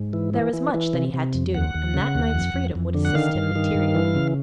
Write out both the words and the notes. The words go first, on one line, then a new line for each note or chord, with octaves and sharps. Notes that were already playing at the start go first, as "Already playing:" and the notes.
There was much that he had to do and that night's freedom would assist him materially.
Already playing: G#2
E3
E3
E3
E3
C3
C3
F2
D#2 F#5
D#2
C#3
D#2
F2
F2
F2
D3
F#5
D#3 F5
G2
D#3
G2
E3
C#3